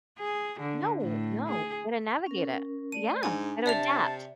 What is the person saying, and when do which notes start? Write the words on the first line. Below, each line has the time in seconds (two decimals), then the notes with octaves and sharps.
No. No, gonna navigate it. Yeah, gotta adapt.
0.18 G#4
0.60 D3
1.01 A2
1.49 G#4
2.26 C#4 A#4
2.92 A3 D5 D#7
3.23 G#2 D4 G#5
3.66 C3 D5 E5 A5 F7